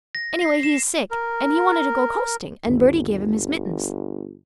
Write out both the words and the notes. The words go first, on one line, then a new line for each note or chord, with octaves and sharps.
Anyway, he is sick, and he wanted to go coasting, and Bertie gave him his mittens.
A#6
C7
E7
A#4
G1 D2 G2 D#3